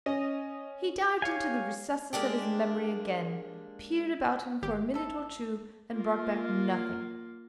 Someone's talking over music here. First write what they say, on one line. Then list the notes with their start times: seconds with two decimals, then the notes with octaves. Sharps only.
He dived into the recesses of his memory again, peered about him for a minute or two, and brought back nothing.
0.06 C#4 D#5
1.22 G4 C#5 F5 G#5
2.13 G#3 A#3 D4 G4
4.62 G#1 G4
4.94 E3 A4
5.92 A#3 F4